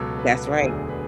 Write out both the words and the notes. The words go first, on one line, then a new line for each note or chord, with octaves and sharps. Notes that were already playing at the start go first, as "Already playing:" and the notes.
That's right.
Already playing: C#2 B2 F#3 A4
B4
E1 D2 D3 F#3 G#4
B4